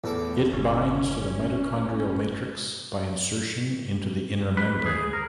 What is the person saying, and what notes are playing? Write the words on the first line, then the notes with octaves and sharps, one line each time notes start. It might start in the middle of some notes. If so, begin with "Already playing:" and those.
It binds to the mitochondrial matrix by insertion into the inner membrane.
E2 A2 A4 D6
G1 C#4
B4
G#4
A#4